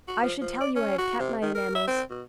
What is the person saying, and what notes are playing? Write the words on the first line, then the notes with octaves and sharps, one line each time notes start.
I should tell you I have kept my enamels.
F#4
F3
F3
D5
C#4
F#4
C3
D#3
A#4
E5
C4
B2